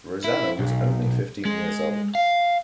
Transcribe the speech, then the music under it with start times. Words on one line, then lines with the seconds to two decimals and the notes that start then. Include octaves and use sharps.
Rosanna was only fifteen years old.
0.24 E4
0.59 B1
1.45 G#3
2.15 F5